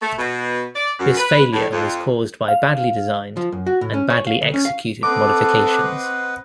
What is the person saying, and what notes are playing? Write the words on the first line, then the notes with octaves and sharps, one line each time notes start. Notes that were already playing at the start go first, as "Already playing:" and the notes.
This failure was caused by badly designed and badly executed modifications.
A3
B2
D5
F#2
B4
A2
F2
F5
F3
F#2
F#4
A2
C#4
C#5
F5
D2
C#4
F5
C4 A4 B4 D#5 F#5 D6